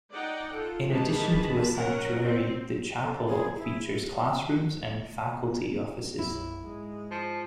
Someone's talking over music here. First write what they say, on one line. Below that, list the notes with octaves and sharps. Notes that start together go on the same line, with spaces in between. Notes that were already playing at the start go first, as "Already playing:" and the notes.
In addition to a sanctuary, the chapel features classrooms and faculty offices.
D#4 D5 F#5 G5
F4 A4
D#3 E3 G#3 G#4 A5 B5
F#3 C#4 A#4 F#5
C4
A4
G#4
E4
B1 F#2 E4
G#2 G#3
F3